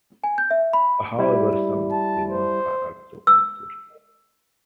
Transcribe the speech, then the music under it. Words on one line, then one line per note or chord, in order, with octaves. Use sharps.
However, some seamounts are also unusual.
G#5
G6
E5
B5
G3 E4
A5
C5
E6